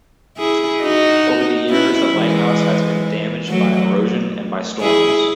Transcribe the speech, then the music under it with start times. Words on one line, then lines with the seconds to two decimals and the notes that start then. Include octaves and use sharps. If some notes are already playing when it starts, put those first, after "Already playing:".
Over the years, the Lighthouse has been damaged by erosion and by storms.
0.37 E4 G#4
0.82 D#4 F#4
1.70 C#4 E4
2.15 E3 G#3
3.48 F#3 A3
4.80 E4 G#4